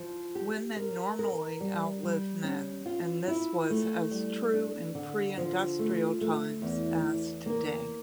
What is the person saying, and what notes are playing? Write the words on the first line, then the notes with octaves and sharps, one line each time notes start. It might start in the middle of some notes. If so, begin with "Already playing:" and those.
Women normally outlive men, and this was as true in pre-industrial times as today.
Already playing: F3
G4
A#4
A#4
G3
G3
C#4
F4
E4
A3
G3
D4
D3
F3
A3
A3
E2
E2
A#3